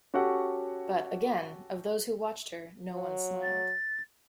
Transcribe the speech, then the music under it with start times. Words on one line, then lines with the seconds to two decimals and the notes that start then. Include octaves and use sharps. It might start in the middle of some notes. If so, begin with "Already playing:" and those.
But, again, of those who watched her no one smiled.
0.14 C#4 F#4 G4 A4 F#5
2.93 F#3
3.43 A6